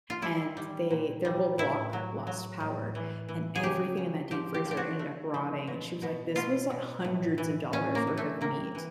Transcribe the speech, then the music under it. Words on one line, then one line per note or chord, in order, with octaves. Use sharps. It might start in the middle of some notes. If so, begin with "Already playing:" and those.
and they their whole block lost power, and everything in that deep freezer ended up rotting, and, she was like, "This was li hundreds of dollars worth of meat."
F4
G3 E4
G3
A#2
G3
A2 E4
F#3
F#3
A2
E3
E3
G#4
C#3 G4
C#3
F3 G4
G4
F3
G4
F#4
A3
F3
B2
B2
B2 F4
B2
A2
E3
A2 C#4
A#3
A2
A3
C3 A#3
E3